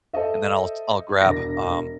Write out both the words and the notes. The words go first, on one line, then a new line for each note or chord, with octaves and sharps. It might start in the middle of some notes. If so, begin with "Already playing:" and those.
and then I'll I'll grab, um,
A4 C5 D#5 E5
E1 D4 A#6